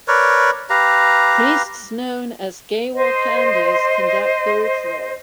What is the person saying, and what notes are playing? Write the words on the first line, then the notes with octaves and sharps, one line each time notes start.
Priests, known as Gaywal-pandas, conduct the ritual.
A#4 B4 C#5 D5
G4 B4 F5 A#5
C5 D#5